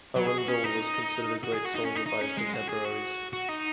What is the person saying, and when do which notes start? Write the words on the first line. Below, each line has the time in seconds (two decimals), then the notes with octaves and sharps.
Arundel was considered a great soldier by his contemporaries.
0.16 F#3
0.26 G#4
0.38 F#4
0.48 C#4
0.64 D#4
1.43 F#4
1.53 G#4
1.64 F#4
1.74 D#4
1.85 C#4
1.96 D#4
2.07 D#4
2.22 C#4
2.38 G#3
2.54 F#4
2.69 G#4
2.85 F#4
3.33 F#4
3.49 D#4